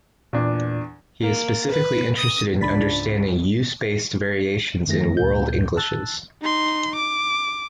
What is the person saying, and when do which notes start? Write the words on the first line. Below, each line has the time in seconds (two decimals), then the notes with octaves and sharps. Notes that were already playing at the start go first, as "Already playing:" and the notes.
He is specifically interested in understanding 'use' based variations in World Englishes.
0.33 E2 A#2 D4
1.21 A#3
1.71 B4
2.17 D#6
2.61 C#2 G#2 D4 B5 A6 B6
4.88 F#2 D#3 A3 G#4 A#6
5.17 D2 A#2 G6
5.77 A5 E6 F#6 A6
6.42 D#4 C6
6.96 D6